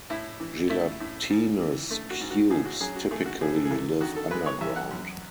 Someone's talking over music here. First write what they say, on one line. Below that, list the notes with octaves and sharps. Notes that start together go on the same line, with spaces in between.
Gelatinous cubes typically live underground.
A2 E4
E3
A3 E4
A2
G#2
E3
A3
F#4
G#2
F#4
A2 G#4
F#4
F#3 G#4
F#4
A3 G#4
F#4
A2 G#4
A4
G#4
E2 A4
D#3 F#4
A4
G#3 B4
C#5
E2 E5
F#5
F#2